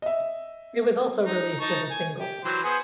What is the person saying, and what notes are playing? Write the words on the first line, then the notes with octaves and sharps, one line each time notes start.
It was also released as a single.
D#5 E5
D#4
D#4 A5 C#6
G#5
G4
E3 F#3 C5
B3 G#4 C5